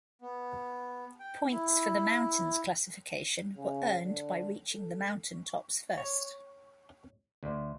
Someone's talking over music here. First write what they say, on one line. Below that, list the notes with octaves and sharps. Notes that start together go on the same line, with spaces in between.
Points for the mountains classification were earned by reaching the mountain tops first.
B3
G5
E4
C#3
D3
A4
C#5
D2